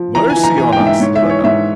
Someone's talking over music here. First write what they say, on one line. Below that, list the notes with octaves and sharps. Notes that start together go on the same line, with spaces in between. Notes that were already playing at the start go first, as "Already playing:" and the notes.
"Mercy on us!" he let out.
Already playing: F3
E3 A#5
G#5
E3
A#5
E3 G#5
G5
G#2
E5
G#2 C#5
E5
E3
C#5
G#2 E5